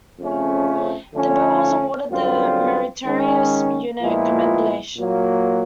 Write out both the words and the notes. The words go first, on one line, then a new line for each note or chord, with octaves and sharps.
The boat was awarded the Meritorious Unit Commendation.
F2 C#3 F3 A3 C#4
D3 F3 A3 C#4
F#2 D3 G3 C4 F4
D#3 G#3 C#4
A#2 F3 G#3 B3 E4
A#2 F#3 A#3